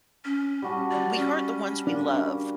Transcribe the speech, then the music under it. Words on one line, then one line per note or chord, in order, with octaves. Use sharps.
we hurt the ones we love,
C#4
G3 F#4 A5
D5
C#4
A#3 D4